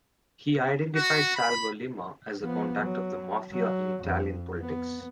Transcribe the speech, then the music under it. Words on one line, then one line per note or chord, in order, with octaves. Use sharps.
He identified Salvo Lima as the contact of the Mafia in Italian politics.
F#4
B5
F3 B3
F#3
F#3
F2
B3